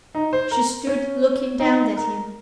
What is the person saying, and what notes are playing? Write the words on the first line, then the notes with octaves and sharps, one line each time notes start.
She stood looking down at him.
D#4
C5
A#4
C#4
D#4
A#4